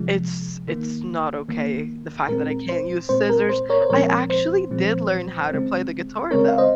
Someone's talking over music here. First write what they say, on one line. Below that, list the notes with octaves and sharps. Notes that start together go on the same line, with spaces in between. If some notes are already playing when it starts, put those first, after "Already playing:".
It's it's not okay, the fact that I can't use scissors I actually did learn how to play the guitar, though,
Already playing: C3 F3 G#3
D#3 A#3
D#3 A#3
A#2 G#3 C4 A#4
C5
A#2 G#3 C4 C5
A#4
C5
A#4 C#5
C5
A#2 F3 G#3 C4 A#4 C#5
C5
A#2 F3 G#3 C4
C#3 G#3 C4
C#3 G#3 C4 A#4 C#5
F5
C5 D#5